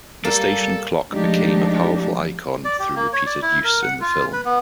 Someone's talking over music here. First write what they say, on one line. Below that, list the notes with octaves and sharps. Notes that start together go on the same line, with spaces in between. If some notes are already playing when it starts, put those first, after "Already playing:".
The station clock became a powerful icon through repeated use in the film.
G3 A#3 A4
F3 G#3 A3 D4 D#4 G4
D5
G4
A#3
C#5
D5
E4
A#4
F#5
F4
B4
B3